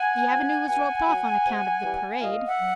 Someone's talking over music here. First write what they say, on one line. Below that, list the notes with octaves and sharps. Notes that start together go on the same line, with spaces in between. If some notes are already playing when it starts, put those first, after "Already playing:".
The Avenue was roped off on account of the parade.
Already playing: F#5 G#5
F3
B2 F#5 G#5
F#3
C3
E3 G3
A#2 D#5 F5
E5 F#5
F#3